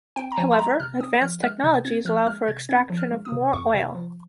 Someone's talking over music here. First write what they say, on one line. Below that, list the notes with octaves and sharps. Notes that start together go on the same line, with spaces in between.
However, advanced technologies allow for extraction of more oil.
C4 G5
A#5
F3 G#5
C6
G#3 A#5
C3 F6
C4 D#6
F3 F6
G#3 F6
C3 G6
C4 G#6
F3 F6
G#3 F6
C3 G#6
C4 G#6
F3
F6
G#3
D#6
C3
F2 C#6
C3
F3